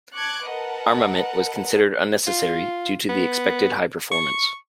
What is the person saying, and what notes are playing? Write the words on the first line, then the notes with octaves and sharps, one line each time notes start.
Armament was considered unnecessary due to the expected high performance.
A5 C#6 D6 F#6 G#6
A#4 B4 D#5 F#5 A5
F4
B3
C#6